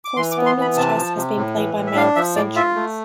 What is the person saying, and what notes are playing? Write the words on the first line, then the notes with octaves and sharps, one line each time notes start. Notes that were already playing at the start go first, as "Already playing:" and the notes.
Correspondence chess has been played by mail for centuries.
D6
E3 C6
D6
B3
C6
E3 B5
C3 A5
F3
C3
A2
E3
A2
E5
D4 F5
F3 E5
A2 D5
F4 E5
A3